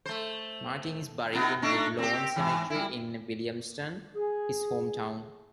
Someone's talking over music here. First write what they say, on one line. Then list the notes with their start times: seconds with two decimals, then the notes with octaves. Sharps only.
Martin is buried in Woodlawn Cemetery in Williamston, his hometown.
0.06 A3 C5
1.33 C3 B3 D#4
1.62 A3 D4 D#4
1.98 C4 G4
2.36 G#2 E3
2.70 G3 E4
4.15 G#4